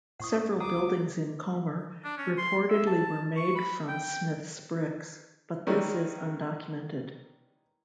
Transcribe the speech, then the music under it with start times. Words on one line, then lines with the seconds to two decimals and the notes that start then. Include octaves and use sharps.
Several buildings in Comer reportedly were made from Smith's bricks, but this is undocumented.
0.20 G2 A#2 F#5 C#6 D#6
0.60 C#2 G#3 B3 F#5 A#5 D6 D#6
2.04 D4
2.18 C#4
2.38 C6
2.69 E5
2.87 A5
3.36 C#6
3.56 B5
3.88 G5
5.67 D#3 E3 G3 G#3 C#4